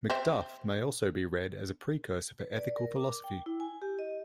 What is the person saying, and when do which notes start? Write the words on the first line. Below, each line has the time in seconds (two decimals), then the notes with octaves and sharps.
Macduff may also be read as a precursor for ethical philosophy.
0.10 C4 C5 E5
2.39 B4
2.56 D5
2.77 A#4
2.96 D6
3.24 G5
3.46 E4
3.60 G#5
3.82 G4
3.99 D#5